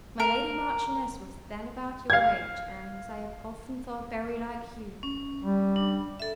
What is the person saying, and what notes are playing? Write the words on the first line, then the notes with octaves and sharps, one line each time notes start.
My lady Marchioness was then about your age, and, as I have often thought, very like you.
A#4
F5 G#6
C#4
G3
D4
A4 E5